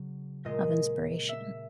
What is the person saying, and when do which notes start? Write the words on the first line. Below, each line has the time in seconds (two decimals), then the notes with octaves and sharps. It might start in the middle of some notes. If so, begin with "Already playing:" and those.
of inspiration.
Already playing: C#3 F#3
0.45 A#2 G#3 D#5
1.29 E5